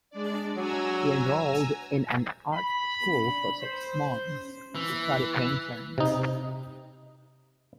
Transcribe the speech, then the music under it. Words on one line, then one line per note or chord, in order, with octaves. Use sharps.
He enrolled in an art school for six months to study painting.
G#3 D4 D5
F#3 G#5 A#5 E6
B5
C5
E3
C3 D#4